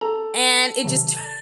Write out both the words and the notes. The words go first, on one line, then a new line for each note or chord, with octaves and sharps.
and it just turned
A4 A#5
C3 D#3 F#3